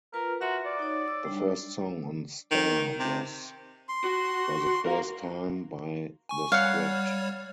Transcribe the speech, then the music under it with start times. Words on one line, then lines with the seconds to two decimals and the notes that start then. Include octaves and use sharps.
The first song on "Star" was "For the First Time" by The Script.
0.14 F4 A#4 B4
0.41 F#4 E5 A#5 C6
0.65 D5
0.79 D#4 C#5
1.08 E6
1.25 G3 D4
2.51 D#3
2.99 C3
3.89 C6
4.04 F#4
4.85 A#4 F5
6.29 G#5 C#6
6.52 G3 C#5 F5 F#5